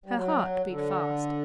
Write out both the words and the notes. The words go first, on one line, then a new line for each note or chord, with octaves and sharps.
Her heart beat fast.
G3
F#3
D3